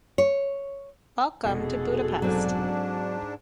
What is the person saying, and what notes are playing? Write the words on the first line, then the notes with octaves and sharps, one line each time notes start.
Welcome to Budapest!
C#5
F1 B2 F#4 G#4 A4
G#2 F#3 C4 D4